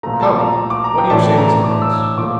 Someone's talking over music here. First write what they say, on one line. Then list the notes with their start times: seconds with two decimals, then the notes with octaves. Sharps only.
"Come, what do you say, Mr. Thomas?"
0.03 A#2 F3 A3 A#5
0.21 A5
0.39 A#5
0.70 D6
0.84 A#5
0.98 G5
1.10 A2 E3 A3 D4 A5
1.38 A#5
1.64 D6
1.82 E6
2.00 E6
2.17 A#2 F3 A3 D6